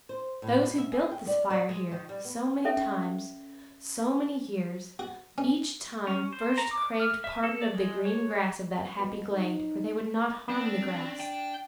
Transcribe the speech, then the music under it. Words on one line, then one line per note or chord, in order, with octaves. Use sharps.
Those who built this fire here, so many times, so many years, each time first craved pardon of the green grass of that happy glade, for they would not harm the grass.
C5
A2
B2
E5
G#4
G5
D5
D5
G#3
D#3
G3
B3
C#4 A4 E5
F#4
C#4
C#4
C5
A#5
D6
F6
E5
A4
D5
G#3
C#5
B2
D#4
C4 D4
G5